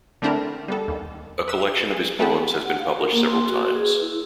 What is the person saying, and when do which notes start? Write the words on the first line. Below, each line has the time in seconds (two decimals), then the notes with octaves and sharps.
A collection of his poems has been published several times.
0.22 D3 A3 C4 D4 E4 A#4
0.68 G3 B3 A4
0.88 D#2
1.48 B4 E6
1.91 G#4
2.19 A3 B3 C4 A4 B4
2.66 F#5
2.79 F5
2.99 A#4
3.12 A#3
3.27 C6
3.48 F#4
3.75 G#4
3.87 B4
4.02 E4